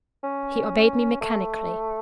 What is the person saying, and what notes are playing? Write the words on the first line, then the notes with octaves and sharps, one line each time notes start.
He obeyed me mechanically.
C#4
A3